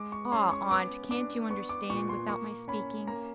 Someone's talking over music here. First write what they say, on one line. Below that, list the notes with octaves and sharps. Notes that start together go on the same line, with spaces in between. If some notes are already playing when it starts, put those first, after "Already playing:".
"Ah, aunt; can't you understand, without my speaking?"
Already playing: G#3 D6
C#6
C#4 C6
C#6
B3 D6
D4 D6
B3 C#6
D6
A#2 C#6
C6
A#3 C#6
C#4 B5
A#3 A#5